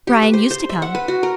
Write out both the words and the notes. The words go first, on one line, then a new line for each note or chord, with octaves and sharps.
'Brian used to come.'
G4
B4
C5
C5
E5
F#5
B4
F#4
A#4